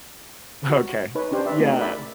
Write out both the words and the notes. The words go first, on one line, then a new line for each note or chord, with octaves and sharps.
Okay. Yeah.
F#4
D#4 B4 C#5
C#4 D4 G4 C5
B4 D5 E5
A3 C4 D4 D#4 F#4 G#4
A#4 D5 E5 B5